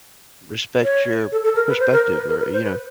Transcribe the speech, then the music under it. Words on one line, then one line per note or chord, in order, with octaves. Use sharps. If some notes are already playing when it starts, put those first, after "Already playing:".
respect your perspective or, you know,
C#5
A4
A4
A#4
B4
C5
A#4
B4
A#4
B4
C5
B4